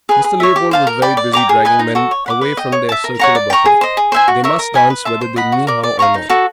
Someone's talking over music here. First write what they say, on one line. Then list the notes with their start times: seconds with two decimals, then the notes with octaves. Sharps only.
Mr. Leopold was very busy dragging men away from the circular buffet--they must dance whether they knew how or not.
0.09 G#4 B4
0.24 G#4
0.40 C#5 E5
0.56 G4
0.71 C5 F5 A5
0.87 A#4
1.02 D5 G5 B5
1.17 D5
1.33 G5 A#5 D6
1.49 G#4
1.65 B4 D#5 G#5
1.79 D#4
1.95 F#4 A4
2.11 C#5
2.26 F#5 B5 D6
2.41 B4
2.57 D#5 G5
2.72 C#5
2.89 E5 A5
3.04 A#4
3.19 C#5 F#5 A#5
3.35 D5
3.50 G5 A#5 C#6
3.66 G#4
3.81 C5 D#5
3.97 G#4
4.12 C5 E5 G#5
4.28 F#4
4.44 A#4 C#5 E5
4.59 A#4
4.74 D#5 G#5 B5
4.90 B4
5.05 E5 A5 C6
5.21 C5
5.36 D#5 F#5 B5
5.52 F#4
5.67 A#4 D5
5.83 D5
5.99 F5 A#5 C#6
6.14 D#4
6.29 F#4 A4